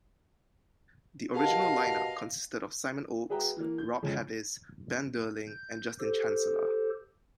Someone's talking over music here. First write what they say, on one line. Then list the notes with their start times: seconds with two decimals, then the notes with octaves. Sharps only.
The original line-up consisted of Simon Oakes, Rob Havis, Ben Durling and Justin Chancellor.
1.35 B2 G4 A#4 D#5 F5 A5
3.30 F#4 G#4 B4 E5 G5 A#5
3.57 E3 A#3
3.78 G6
4.02 F2 C#3 F3 G#3
5.47 G6
6.00 G4 A4 C5